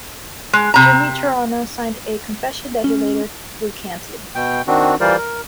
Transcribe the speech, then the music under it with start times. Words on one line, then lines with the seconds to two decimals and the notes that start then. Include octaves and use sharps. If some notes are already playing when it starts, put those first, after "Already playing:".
Jimmy Troiano signed a confession that he later recanted.
0.53 G#3
0.74 C3 A#5
2.84 C#4
4.35 B2 G5
4.68 D#3 C4 D4 F#4
5.01 E3 G3 F4 A#4 C5 D5
5.18 A#4